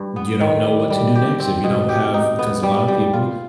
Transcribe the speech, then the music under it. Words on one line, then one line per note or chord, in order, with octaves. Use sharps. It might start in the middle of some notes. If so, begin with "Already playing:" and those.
you don't know what to do next if you don't have 'Cause a lot of people
Already playing: G2
B3
D#3
G3
G3
G4
C4
B2
G4
D#4
B3
G3
G3
F4